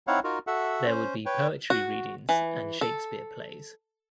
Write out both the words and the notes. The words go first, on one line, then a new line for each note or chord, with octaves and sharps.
There would be poetry readings and Shakespeare plays.
C4 D#4 E4 C#5 F5 F#5
D#4 F4 F#4 A#4
F#4 A4 E5 F#5
C#4 C5
B4 C#5 G5
F#4
E3
A4